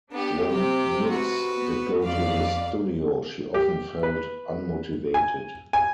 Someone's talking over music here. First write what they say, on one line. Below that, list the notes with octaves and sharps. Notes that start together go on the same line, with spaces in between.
When Nicks did go to the studio, she often felt unmotivated.
B3 D4 G4
C3 G4
F#4 B4
B3
F2 D5 F5
G4
B4
G#5
G#5